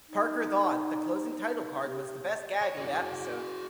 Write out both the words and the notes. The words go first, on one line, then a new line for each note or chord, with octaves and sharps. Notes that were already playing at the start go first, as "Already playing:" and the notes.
Parker thought the closing title card was the best gag in the episode.
D#4
G4
C#5
F#4 G#4